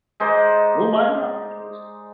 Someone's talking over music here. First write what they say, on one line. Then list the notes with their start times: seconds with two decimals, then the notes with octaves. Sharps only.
who am I to knock your choice?
0.20 G#3 D#4 C5 D5